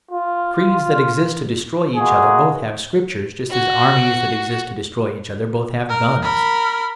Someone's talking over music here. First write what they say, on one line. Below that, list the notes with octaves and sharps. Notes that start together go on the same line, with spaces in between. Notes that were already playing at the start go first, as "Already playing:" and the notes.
Creeds that exist to destroy each other both have scriptures, just as armies that exist to destroy each other both have guns.
F4
G#3 A#3 F#4 G#4
F#4
A#4
A#4 B5